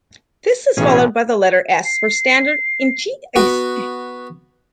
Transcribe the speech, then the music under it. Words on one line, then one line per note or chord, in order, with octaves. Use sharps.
This is followed by the letter S for standard InChIs.
B1 A2 E3 C#4 G#4
C7
B3 F#4